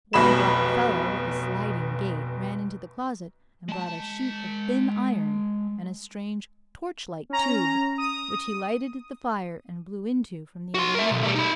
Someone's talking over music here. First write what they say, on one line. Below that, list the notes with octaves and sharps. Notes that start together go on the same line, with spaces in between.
One black fellow with a sliding gait ran into the closet and brought a sheet of thin iron, and a strange torch-like tube, which he lighted at the fire and blew into from the other end.
F1 B1 B2 B5 E7
G#3 A5
C#4 A#5
D#6
F#4 C6
A#4 E5
B1
G3 A3
D#4 B5